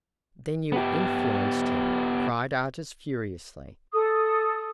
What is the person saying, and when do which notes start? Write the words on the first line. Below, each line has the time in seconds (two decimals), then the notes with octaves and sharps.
"Then you influenced him," cried Artis furiously.
0.72 B3 G4
3.93 A4 D#6